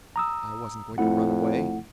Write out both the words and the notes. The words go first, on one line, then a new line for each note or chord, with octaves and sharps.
I wasn't going to run away.
A#5 D#6 E6
F2 A3 E4 F#5